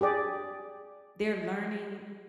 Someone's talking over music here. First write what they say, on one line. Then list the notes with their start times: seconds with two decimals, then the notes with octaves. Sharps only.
They're learning
0.01 G4 G#4 D5